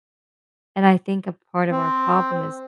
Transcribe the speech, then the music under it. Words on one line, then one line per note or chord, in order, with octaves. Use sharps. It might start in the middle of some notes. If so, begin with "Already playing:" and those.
and I think a part of our problem is
C4